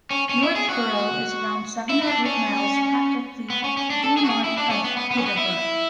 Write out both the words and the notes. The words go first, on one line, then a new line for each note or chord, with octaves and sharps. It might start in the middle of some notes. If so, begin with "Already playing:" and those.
Northborough is around seven or eight miles practically due north of Peterborough.
C#4
C#4
E4
G#4
F#4
E4
E4
D4
C#4
B3
C#4
C#4
D4
A4
G#4
F#4
G#4
E4
D4
C#4
B3
B3
B3
C#4
B3
E4